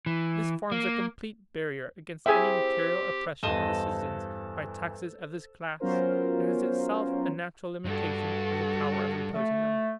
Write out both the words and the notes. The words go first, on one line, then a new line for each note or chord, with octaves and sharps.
This forms a complete barrier against any material oppression of the citizens by taxes of this class, and is itself a natural limitation of the power of imposing them.
E3
A#3
C4 E4 G4 G#4 E5 G5 G#5
E2 G2 A4 C5 D#5
F#3 B3 C#4 F4 A#4 C5
G2 F#4 A4
A3